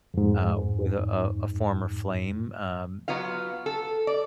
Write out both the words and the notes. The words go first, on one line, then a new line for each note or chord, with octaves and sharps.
uh, with, uh, a former flame, um,
F2 G#2
F#3 B3 F4 F5
A4
D5